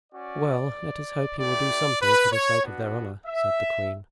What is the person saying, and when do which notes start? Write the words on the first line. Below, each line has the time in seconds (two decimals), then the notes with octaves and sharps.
"Well, let us hope he will do something for the sake of their honor," said the queen.
0.11 C#4 F#4 D5
1.38 A3 E4 G4 D5
2.01 B4
2.32 C#5
2.64 B3 D4 F#4
3.27 E5